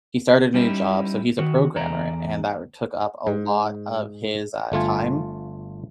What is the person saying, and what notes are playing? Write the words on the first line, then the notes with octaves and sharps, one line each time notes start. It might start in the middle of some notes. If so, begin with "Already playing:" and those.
He started new job. So, he's a programmer, and that took up a lot of his, uh, time.
G3 C#4 D#4 E4
D#3 F#4
E2 A4 D5 A#5
G#2
G1 A3 F4 G#5